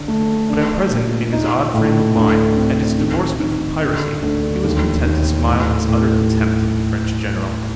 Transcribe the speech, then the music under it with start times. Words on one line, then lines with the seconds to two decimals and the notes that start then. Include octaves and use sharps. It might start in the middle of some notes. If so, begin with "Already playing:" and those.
But at present, in his odd frame of mind, and its divorcement from piracy, he was content to smile his utter contempt of the French General.
Already playing: D3
0.08 A3
0.49 D4
0.91 A#2
1.33 D#4
1.74 A2
2.15 D2
2.56 C4
2.98 D#3
3.39 D#3
3.81 D3
4.22 D2
4.64 D#2
5.05 D#2
5.47 A2
5.89 A2